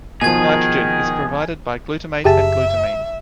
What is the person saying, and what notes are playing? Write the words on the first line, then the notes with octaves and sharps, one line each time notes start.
Nitrogen is provided by glutamate and glutamine.
B2 D#3 F3 G#4 G#5 G#6
F#1 G4 G#4 E5 A5